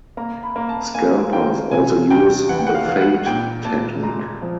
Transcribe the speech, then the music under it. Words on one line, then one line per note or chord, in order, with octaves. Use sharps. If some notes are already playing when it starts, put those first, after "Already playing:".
Scalpers also use the "fade" technique.
A#3 A#5
B5
A#3
A5
A#3 G#5
A#3 G5
C3 G#5
E2 G5
E3 F#5
G5
F#5
F5
E3 F5
F#5
A#2 G5
A#2 A5
G#3 A#5
F3